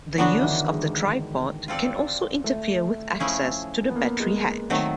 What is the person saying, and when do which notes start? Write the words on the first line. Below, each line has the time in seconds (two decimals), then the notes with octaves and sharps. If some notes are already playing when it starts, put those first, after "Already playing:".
The use of the tripod can also interfere with access to the battery hatch.
0.18 D3 F#3 B3 D4 F#4
0.37 E3
0.44 D#3
0.69 G#3
1.68 C4 F4 A4 D5
2.44 A3
3.20 F3 A3 C#4 E4 G#4
3.90 B3
3.96 A#3
4.20 G#3
4.70 D#3 F#3 A3 C4